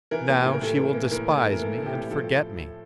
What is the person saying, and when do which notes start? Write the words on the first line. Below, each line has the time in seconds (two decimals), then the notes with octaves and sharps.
Now she will despise me and forget me.
0.11 E3 A#4
0.29 A#3
0.37 G4
0.45 A2
0.53 A#4
0.62 A2 A4
0.78 E3
0.94 A#3
1.11 A2 A#4
1.28 A2
1.45 E3
1.51 A#4
1.61 A#3 A4
1.78 A2 A4
1.86 G4
1.94 A2
2.11 F3 A4